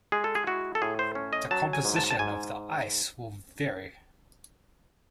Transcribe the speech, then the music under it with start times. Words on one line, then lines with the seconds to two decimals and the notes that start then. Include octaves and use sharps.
The composition of the ice will vary.
0.12 G#3 G#4
0.24 A4
0.35 G#4
0.47 E4 F#4
0.75 A4
0.82 A2 G#4
0.99 C5
1.15 C#4
1.33 D#5
1.51 F#3 A5
1.73 G#5
1.85 G#2
1.96 A5
2.10 A5
2.19 G#2 G#5